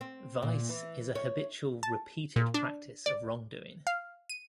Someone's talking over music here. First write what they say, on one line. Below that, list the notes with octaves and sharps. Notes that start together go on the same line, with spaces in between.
Vice is a habitual, repeated practice of wrongdoing.
C4
A#2
E3
C#5
A5
A#2
D4
D5
F5
D#7